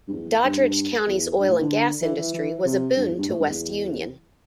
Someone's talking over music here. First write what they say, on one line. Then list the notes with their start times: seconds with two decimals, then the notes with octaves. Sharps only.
Doddridge County's oil and gas industry was a boon to West Union.
0.07 G2
0.12 E2
0.44 G2
1.07 E2
1.39 G2
1.49 A2
1.60 D3
2.01 E3
2.18 E3
2.34 E3
2.65 C3
2.96 G2
3.07 E2
3.18 G2
3.28 A2
3.39 G2
3.50 E2